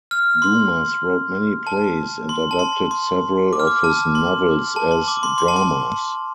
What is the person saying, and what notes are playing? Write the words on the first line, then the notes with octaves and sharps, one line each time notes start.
Dumas wrote many plays and adapted several of his novels as dramas.
F6
C6
A5
C6
A5
C6
C6
D6
F6
D6
A5
C6
A5
C6
D6
C6
C6
A5
C6